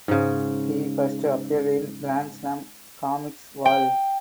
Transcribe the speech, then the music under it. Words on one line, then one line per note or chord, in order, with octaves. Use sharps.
He first appeared in "Grand Slam Comics" Vol.
G#2 C#3
G5